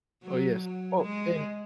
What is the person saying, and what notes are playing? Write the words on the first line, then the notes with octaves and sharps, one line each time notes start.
Oh, yes. Oh, and,
F#3
F#3
G#3